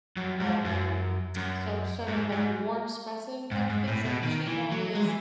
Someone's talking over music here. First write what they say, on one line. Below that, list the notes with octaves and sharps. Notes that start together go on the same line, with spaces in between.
um, sor sort of, like, more expressive type of thing. So qigong is,
F#2
G#2
F#2
F#2
G#2
G#2
G#2
G#2
A2
B2
D#3
E3
F#3
G#3
E3